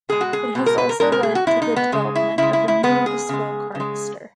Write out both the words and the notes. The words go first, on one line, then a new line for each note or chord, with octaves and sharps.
It has also led to the development of a new bespoke harvester.
B2 G#3 G#4
F#4
G#4
B2 G#3
A#4
B4
A#4
B2 G#3 A#4
A#4
G#4
F#4
B2 G#3 E4
D#4
B3
C#3 G#3
E4
C#3 G#3 E4
E4
E4
C#3 G#3 B3
G#4
C#3 G#3
C#3
G#3